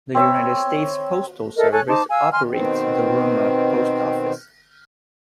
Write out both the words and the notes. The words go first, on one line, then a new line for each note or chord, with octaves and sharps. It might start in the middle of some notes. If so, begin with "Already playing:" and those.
The United States Postal Service operates the Roma Post Office.
C4 C#5 E5 B5
A4 A#4 D#5 E5
A4 C#5 G#5 F#6
D#4 C5 A5 D6
F5 G#5 E6
G#5 C6 F6
B2 D#3 C4